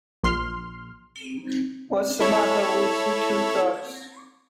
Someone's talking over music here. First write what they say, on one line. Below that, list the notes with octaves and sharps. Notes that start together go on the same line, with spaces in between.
What's the matter with you two guys?
A#1 C6 F6
E4 A4 C#5